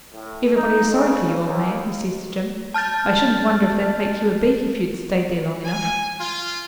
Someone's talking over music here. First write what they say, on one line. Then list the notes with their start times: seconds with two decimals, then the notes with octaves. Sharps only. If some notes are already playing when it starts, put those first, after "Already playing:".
Everybody is sorry for you, old man,' he says to Jim. 'I shouldn't wonder if they'd make you a beak if you'd stayed there long enough.
0.14 A2
0.56 D#4
0.94 C#3
1.45 D#2
2.74 A5 F6 G6 A6
5.65 G#5
6.20 F4